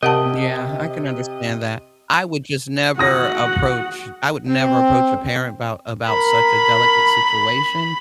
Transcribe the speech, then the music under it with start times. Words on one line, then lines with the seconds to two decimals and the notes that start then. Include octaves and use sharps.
Yeah, I can understand that, I would just never approach I would never approach a parent about about such a delicate situation,
0.03 C3 A#4 D#5 F#5 A5
2.99 F#4 F#5 D#6 A#6
4.47 C4
6.09 A#4 B5